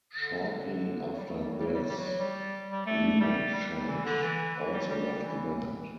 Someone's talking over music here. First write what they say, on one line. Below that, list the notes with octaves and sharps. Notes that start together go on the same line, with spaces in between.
Shortly after this, Lemarchand also left the band.
D3
F#3
G3
A3
G3
F#3
G3
F#3
G3
F#3
G3
F#3
G3
G3
A3
G3
G3
E3
D3
E3
D3
F#3
G3
F#3
G3
E3